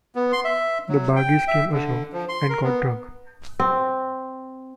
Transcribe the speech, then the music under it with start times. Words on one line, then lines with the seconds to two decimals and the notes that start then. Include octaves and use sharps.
The bargees came ashore and got drunk.
0.15 B3
0.32 C6
0.45 E5
0.89 F#3
1.16 G5
1.48 E5
1.73 D3
2.13 F3
2.29 C6
2.50 A#4
2.64 B3
3.60 C4